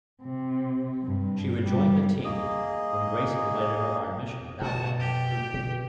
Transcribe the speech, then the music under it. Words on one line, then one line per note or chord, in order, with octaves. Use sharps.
She rejoined the team, when Grace invited her on a mission, without Batman's approval.
C3
G2
G3
A#3 G#4 D#5
B2 F#4 A5
G4
B2